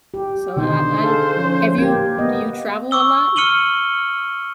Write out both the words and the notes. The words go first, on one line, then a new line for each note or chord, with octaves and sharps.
So, I I don't have you do you travel a lot?
G4
B2 D3 D#3 D#4 C5
G#4 A4 F5
F3 C#4
A#3 G4 G#6
B3 D#5
C#6 D6 E6 G7
F6 C#7 D#7 F#7 G7